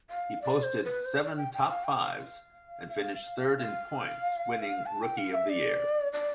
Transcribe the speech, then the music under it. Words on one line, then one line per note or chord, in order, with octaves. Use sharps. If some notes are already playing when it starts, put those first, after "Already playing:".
He posted seven top-fives and finished third in points, winning Rookie of the Year.
F5
D5
C5
B4
C5
D5
G5
G5
F5
G5
F5
F5
F5
A5
G5
F5
E5
D5
D5